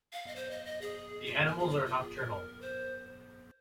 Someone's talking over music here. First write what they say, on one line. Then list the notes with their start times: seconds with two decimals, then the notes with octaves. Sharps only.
The animals are nocturnal.
0.13 F5
0.27 D#5
0.36 C5
0.51 D#5
0.66 D#5
0.81 G#4
1.26 F4
1.46 A#4
1.59 G#4
1.71 F4
1.86 F4
2.01 G#4
2.16 A#4
2.61 C5